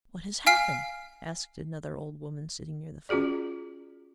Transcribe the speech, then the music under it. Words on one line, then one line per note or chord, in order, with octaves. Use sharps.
"What has happened?" asked another old woman sitting near the fire.
F5 G#5 F6 C7
C#4 F4 F#4 G#4 D5